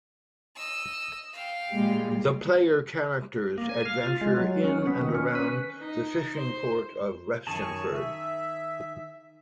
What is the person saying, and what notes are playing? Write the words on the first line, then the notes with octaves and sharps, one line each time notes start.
The player characters adventure in and around the fishing port of Restenford.
D#5 E6
F5 G5
A#2 G3 G#3
A#3
G#5
F5
F4
G#3
F#3
C#4
B3
D#3
C#4
B4
D#4
C5
F#2 D#3 G#4 G#5 A5 C#6
E5